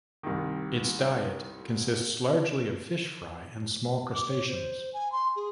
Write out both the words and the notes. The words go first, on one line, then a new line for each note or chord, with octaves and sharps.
Its diet consists largely of fish fry and small crustaceans.
C2 D#3
D6
C#5
C5
G#5
C6
G#4